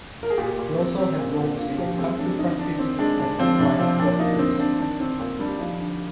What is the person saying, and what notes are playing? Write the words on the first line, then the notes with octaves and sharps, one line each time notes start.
He also had roles in "A Country Practice" and "The Flying Doctors".
A#4
G#4
A#2 G4
A#2
C4
C4
A#2
A#2
D3 F4
F3 G4
G#3 C4
C4 D4
D3 D#4
D3 D4
D#3 C4
G#3 D4
D3 D4
F3 C4
C3 D4
F3 C4
A#2 D4
A#3 D#4
D3 C4
C4 D4
D#3 D4
D#3 C4
A#2 C4
G3 D4
F3 D#4
D3